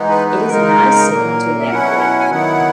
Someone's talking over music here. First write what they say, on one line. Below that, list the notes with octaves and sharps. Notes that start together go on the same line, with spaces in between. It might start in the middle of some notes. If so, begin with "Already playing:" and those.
It is not a signal to evacuate.
Already playing: E3 G#3 B3 D#4
B4
B4
C#3 G#3 D#4 A#4
A#2 F#3 A#3
E5
B2 F#3 C#4 E4 F#5
G#5
D#3 F#3 B3 E4 F#5